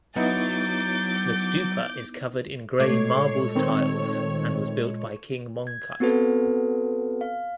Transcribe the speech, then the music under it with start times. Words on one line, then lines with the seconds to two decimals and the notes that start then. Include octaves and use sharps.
The stupa is covered in grey marbles tiles and was built by King Mongkut.
0.16 F#3 B3 D#4 E4 D6 G6 A6
2.80 A#2 G#3 A3 A4 C#5 D6 G#6 C7
3.55 D#3 C4
5.67 G#6
6.00 B3 C4 F#4 A4 B4
7.21 F5